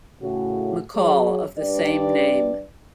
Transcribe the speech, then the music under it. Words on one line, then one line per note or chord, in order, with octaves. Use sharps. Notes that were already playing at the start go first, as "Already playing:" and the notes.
McCall of the same name.
A2 C#3 F#4
F#3 G#4 C#5
G2 D4 G4 B4 D5